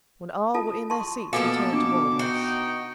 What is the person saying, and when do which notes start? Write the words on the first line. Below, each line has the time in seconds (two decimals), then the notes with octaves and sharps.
When all were in their seats he turned toward us.
0.54 F4 A4 A5
0.90 A5 C6 C#6
1.33 B2 F3 A#3 A4 F5 G#5 D6
1.73 D4 D6
2.19 D#4 F#4 G5